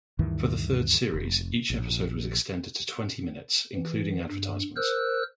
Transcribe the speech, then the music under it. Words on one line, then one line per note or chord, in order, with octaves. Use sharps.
For the third series, each episode was extended to twenty minutes, including advertisements.
D2 G2 D#3 E3
F1
A#1
E3
G2
A#4 C5 E6 F#6